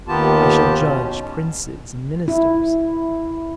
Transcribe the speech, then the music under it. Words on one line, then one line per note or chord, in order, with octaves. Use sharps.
I shall judge princes and ministers.
D#2 D#3 B3 F4 G4 A5
B2 C#4
E4